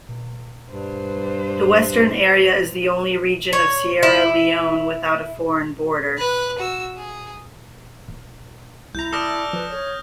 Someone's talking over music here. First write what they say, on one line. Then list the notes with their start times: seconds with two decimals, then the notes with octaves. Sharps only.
The Western Area is the only region of Sierra Leone without a foreign border.
0.70 G2 G3 B4 C5
3.53 C#5
4.03 E4
6.18 B4 F#6
6.58 F#4 E6
6.97 G#4
8.95 C2 E4 A#5 G6
9.12 A4 D5 D#6 F6 A#6
9.53 F3 B4
9.70 C#5